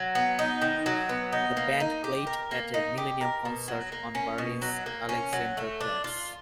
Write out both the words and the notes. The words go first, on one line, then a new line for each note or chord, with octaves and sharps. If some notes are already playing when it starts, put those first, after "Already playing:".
The band played at a millennium concert on Berlin's Alexanderplatz.
Already playing: F#3
B3
D#4
D#3
F#3
B3
D#4
A#3
D#4
G4
A#4
A#3
D#4
G4
A#4
B2
F#3
A#3
C#4
B2
F#3
A#3
C#4
F#3
A3
D4
F4